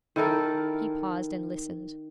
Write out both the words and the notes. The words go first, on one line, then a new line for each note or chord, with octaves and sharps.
He paused and listened.
D#3 E4 A4 A#4